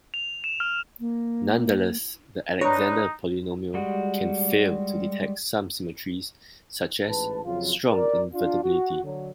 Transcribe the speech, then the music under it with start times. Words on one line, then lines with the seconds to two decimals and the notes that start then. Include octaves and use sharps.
Nonetheless, the Alexander polynomial can fail to detect some symmetries, such as strong invertibility.
0.14 F7
0.44 E7
0.60 F6
1.00 A#3
2.61 D4 D#4 B4 C#5 A#5
3.74 G3 G#3 F#4
7.06 A1 G#2 B4 A5
7.44 F2 C#3 F#3 F4
7.89 A#4 D5
8.33 D4 F4
8.63 F#4
9.04 D3 F#3